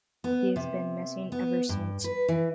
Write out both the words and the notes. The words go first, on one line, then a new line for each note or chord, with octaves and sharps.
He has been missing ever since.
B3
C3
B3
G2
B4
E3